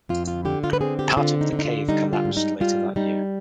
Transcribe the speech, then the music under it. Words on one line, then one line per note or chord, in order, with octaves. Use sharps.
Part of the cave collapsed later that year.
F2 F4
F4
D3 G4
F4
B4
C4 G#4
G4
D3 F4
D#4
D3
D#4
F4
G3 D#4
F4
G#2
D#4
G3 F4
G3 D#4